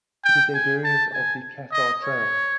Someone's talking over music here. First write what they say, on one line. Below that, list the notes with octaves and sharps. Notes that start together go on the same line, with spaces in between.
It is a variant of the Cathar trail.
G5
G#5
A5
G#5
D#5
C#5